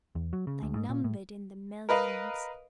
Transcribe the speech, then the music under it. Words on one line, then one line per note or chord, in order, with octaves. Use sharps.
They numbered in the millions.
E2
F#3
C#3
D2
G#2
A#2
A2
A#4 B4 D#5 F5